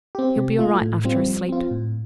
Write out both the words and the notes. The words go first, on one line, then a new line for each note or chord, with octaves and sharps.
He'll be all right after a sleep.'
C4 G4
C3
A3 F4
A2
G3 C4 F4
F3
C4 F4
A2